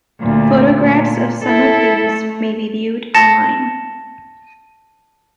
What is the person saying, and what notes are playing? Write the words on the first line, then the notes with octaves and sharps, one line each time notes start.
Photographs of some of these may be viewed online.
D2 A#2
A#2
E4 A4
A3
A5 A6 A#6 C#7 E7